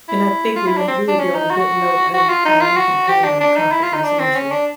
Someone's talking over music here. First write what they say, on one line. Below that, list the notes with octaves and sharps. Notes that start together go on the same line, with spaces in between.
and I think we would we would be on a good note of how we can handle conflict resolutions.
E4
F4
E4
D4
C4
D4
C#4
D#4
F#4
F#4
F4
D#4
F4
F#4
G4
D4
D4
D#4
E4
F4
D#4
D4
C4
C#4
D4